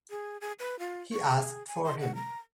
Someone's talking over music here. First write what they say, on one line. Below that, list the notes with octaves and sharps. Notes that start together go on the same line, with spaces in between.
He asked for him.
G#4
G#4
B4
F4
C#6
G#4
G#5
C6
F#5
A#5